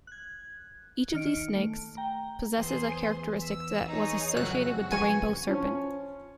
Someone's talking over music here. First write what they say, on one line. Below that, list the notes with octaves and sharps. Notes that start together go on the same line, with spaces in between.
Each of these snakes possesses a characteristic that was associated with the Rainbow Serpent.
F#6 G#6
D#3 F6 C#7 D7
A3
G5 A#5
E2 G#4 C5 C6
E6 B6
D#4 G#4 C#5
F#1 F2 F#4 F#6
F3 B4 G#5 C#6
F3 C#4